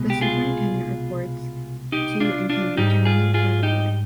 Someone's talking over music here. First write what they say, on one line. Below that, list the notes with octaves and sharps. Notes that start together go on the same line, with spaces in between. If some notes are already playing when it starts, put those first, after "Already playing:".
The Superintendent reports to and can be terminated by the Board.
Already playing: C2 B2 G#3
G4
F4 G#4
D#4 G4
D4 F4
D4 F4
G#2 G3 D#4 G4
F4 G#4
F4 G#4
D#4 G4